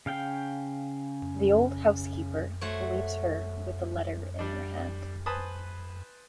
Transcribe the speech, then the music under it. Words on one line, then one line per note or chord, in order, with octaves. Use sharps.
The old housekeeper leaves her with the letter in her hand.
C#3 F5 G5
A3 F#4 C5 C#5
G3 D4
B4 C5 G#5 A5 B5 D#6